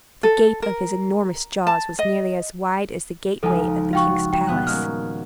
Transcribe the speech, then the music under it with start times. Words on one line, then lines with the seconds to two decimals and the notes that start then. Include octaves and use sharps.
The gape of his enormous jaws was nearly as wide as the gateway of the king's palace.
0.23 A4
0.62 A#4
1.67 A5
1.99 D#5
3.43 C#2 F3 D#4 A4 G#5
3.93 F4 F#4 F5 G5 C#6
4.33 F#4 G5
4.47 D#1 B3 F#6
4.67 G#3 A#3 C#4 F6